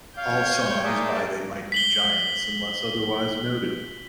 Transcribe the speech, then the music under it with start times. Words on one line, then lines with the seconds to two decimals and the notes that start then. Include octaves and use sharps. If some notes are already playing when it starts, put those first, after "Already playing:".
All songs by They Might Be Giants unless otherwise noted.
0.17 C#5 F5 G5 G6
0.83 A#2 A#3 G#4 D5 E5 A5
1.72 B6 F#7 G7